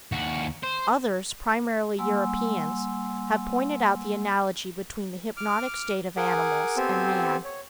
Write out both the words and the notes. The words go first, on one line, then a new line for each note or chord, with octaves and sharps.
Others, primarily Europeans, have pointed out the analogy between the hypnotic state of animals and man.
D#2 F#4
C5
G3 A#3 F#5 G#5 C6 E6
D6 F6
G#4 A#4 F#5 G#5 D6
B3 C4 G4 A4 C5 G#5
C#5